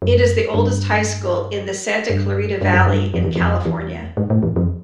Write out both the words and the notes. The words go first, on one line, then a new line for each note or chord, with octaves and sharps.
It is the oldest high school in the Santa Clarita Valley in California.
F#2
G2
G2
G2
F#2
G2
F2
E2
F2
E2
G#2
A2
E2
F2